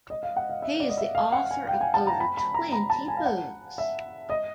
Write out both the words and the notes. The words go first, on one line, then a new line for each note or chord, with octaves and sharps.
He is the author of over twenty books.
D#5
F5
F#5
F5
E5
D5
D#5
E5
F5
F#5
G#5
G5
G#5
A5
A#5
B5
B5
A#5
A#5
A5
G#5
F5
F#5
E5
D#5